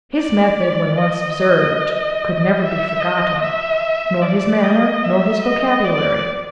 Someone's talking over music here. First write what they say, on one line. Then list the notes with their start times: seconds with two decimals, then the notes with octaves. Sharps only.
His method, when once observed, could never be forgotten; nor his manner, nor his vocabulary.
0.15 D5
0.97 D#5
2.60 E5
3.00 D#5
3.40 E5
4.22 D5
4.63 D#5
5.04 E5
5.44 D#5
5.84 D5